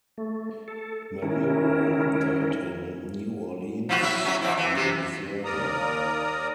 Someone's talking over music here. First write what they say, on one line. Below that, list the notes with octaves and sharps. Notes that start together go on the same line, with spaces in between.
Marrero died in New Orleans, Louisiana.
A3
A4
D#3 C#4 E4 A#4
F3 E4 F#4
F#3 E4 E5
F#3 C#4
F2 C4 E4
E3
C3 E3
D#2 A#4 D5 A#5 D#6